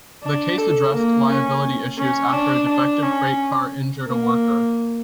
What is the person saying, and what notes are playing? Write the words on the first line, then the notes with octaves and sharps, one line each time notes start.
The case addressed liability issues after a defective freight car injured a worker.
D4
A4
A#3
C#4
C#4
D4
D4
C#4
A#3